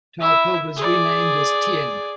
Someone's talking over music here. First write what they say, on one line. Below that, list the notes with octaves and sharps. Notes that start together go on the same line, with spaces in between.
Talpa was renamed as Tien.
E4 E5
G#4 D5